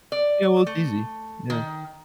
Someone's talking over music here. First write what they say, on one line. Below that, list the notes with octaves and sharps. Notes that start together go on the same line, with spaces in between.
Yeah, well, it's easy. Yeah.
D5
A3
D#3